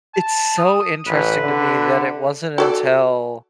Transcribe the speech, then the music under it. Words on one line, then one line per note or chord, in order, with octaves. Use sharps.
It's so interesting to me that it wasn't until
A5
D#6
A1 B4
D3
F#4 A4 D5